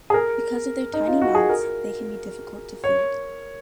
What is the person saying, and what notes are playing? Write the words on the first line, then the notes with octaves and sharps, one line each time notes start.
Because of their tiny mouths, they can be difficult to feed.
G#4
A#4
D#4
F4
F#4
G#4
A#4
C#5